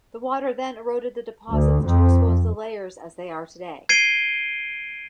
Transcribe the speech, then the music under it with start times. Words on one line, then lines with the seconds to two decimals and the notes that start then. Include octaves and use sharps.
The water then eroded the deposits to expose the layers as they are today.
1.50 D2
1.85 F2
3.89 G#6 C7 D7 D#7 G7